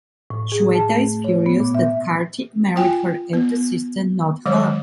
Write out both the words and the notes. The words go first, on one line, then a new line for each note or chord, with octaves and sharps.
Shweta is furious that Kartik married her elder sister not her.
A2
G#4
A5
A3
C#5
B3
A#2
E5
F4 G5 G#5
B3
D#3 F#3 G#3 C#5